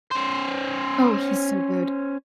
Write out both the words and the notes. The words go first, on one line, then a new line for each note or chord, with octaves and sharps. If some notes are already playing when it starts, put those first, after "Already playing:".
Oh, he's so good.
C#4 C5